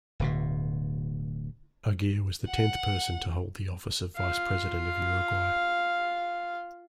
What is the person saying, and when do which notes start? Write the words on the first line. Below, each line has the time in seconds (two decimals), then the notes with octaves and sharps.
Aguirre was the tenth person to hold the office of Vice President of Uruguay.
0.20 D1 D2 B2
2.47 F#5
4.16 F4 F5